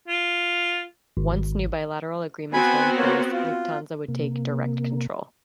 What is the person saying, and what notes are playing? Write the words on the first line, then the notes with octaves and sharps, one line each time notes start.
Once new bilateral agreements were in place, Lufthansa would take direct control.
F4
G#1
B3 C4 F#4 G#5 B5
A#3 C#5
F4
C3 A#3